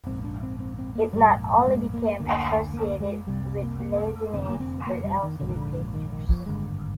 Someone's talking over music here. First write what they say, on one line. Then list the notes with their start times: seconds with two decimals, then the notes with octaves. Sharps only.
It not only became associated with laziness, but also with danger.
0.07 A#1 G#2 C4
0.24 D4
0.43 C4
0.60 C4
0.79 C4
0.95 A#3
1.13 A#1 G#2 G3
1.58 A#3
1.67 G#3
1.94 A#3
2.20 D2 D3 A#3
2.74 A#3
3.00 G#3
3.27 C2 C3 G3
3.63 A#3
3.80 A#3
4.34 F1 F2 D3 C4
4.49 A#3
4.60 C4
4.87 A#3
5.04 G3
5.23 D#3
5.40 A#1 G#2 D3
5.49 D#3
5.56 D3
5.94 D#3
6.12 D#3
6.30 F3
6.46 G#1 G2 D3 G#3